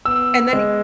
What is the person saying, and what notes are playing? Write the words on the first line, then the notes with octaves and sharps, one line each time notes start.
And then he
B3 E6
G#3